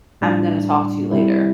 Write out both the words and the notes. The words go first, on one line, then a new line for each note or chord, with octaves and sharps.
"I'm gonna talk to you later,"
A2 G3 D4
C3 G3 E4